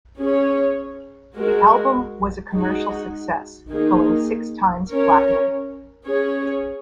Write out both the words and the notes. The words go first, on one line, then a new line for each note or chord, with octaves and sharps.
The album was a commercial success, going six-times platinum.
C#4 G#4 C#5
G#3 F#4 A#4
G#3 D#4 F#4
D#3 A#3 D#4 G#4
C#4 A#4 C#5
C#4 G#4 C#5